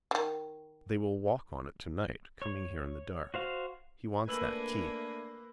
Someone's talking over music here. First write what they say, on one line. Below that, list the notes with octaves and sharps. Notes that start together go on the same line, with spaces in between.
They will walk on it tonight, coming here in the dark. He wants that key.
D3 D#3
C#5
F#4 C5 F5
A3 A#3 D4 B4 G#5 B5 E6 F#7